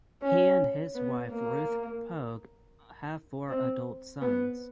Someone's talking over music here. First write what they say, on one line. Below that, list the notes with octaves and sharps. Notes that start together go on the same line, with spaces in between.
He and his wife Ruth Pogue have four adult sons.
C#4
B3
A#3
C4
B3